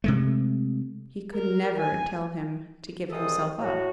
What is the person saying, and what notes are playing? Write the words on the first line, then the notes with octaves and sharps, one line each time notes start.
He could never tell him to give himself up!
C3 G#3 A3
A#4
G#5
C2 E3 G#3 A4 C5 D#6
A2 F#4